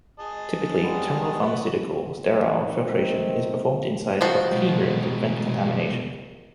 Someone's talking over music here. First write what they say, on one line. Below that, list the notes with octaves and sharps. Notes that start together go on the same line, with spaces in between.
Typically, terminal pharmaceutical sterile filtration is performed inside of a cleanroom to prevent contamination.
G#4 D#5 A5
G3 G#3 B3
E4 B4 C#6
D#3 A3 C4 D#4
D#3 F3 F#4
B2 G#3